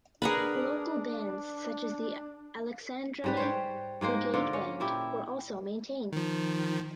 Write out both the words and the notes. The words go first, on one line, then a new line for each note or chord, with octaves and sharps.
Local bands such as the Alexandroni Brigade Band were also maintained.
D4 G#4 A#4 B4
G#2 G3 B4
C5 C#5 G5
G#2 G#3 A#3 C5
D3 A#3 F4
C#4
A#2 E4 G4
D#3 F3